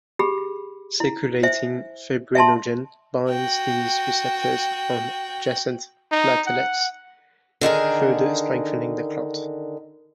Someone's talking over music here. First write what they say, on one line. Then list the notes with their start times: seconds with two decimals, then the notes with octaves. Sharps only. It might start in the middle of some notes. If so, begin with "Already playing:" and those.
Circulating fibrinogen binds these receptors on adjacent platelets, further strengthening the clot.
0.19 G4 G#4 B5
1.00 E4
1.43 C5 E5 G#5
2.35 E5 G#5 A5 C6
3.29 F#4 G5
6.12 D#4
6.47 F#5
7.61 D3 D#3 G#4 A#4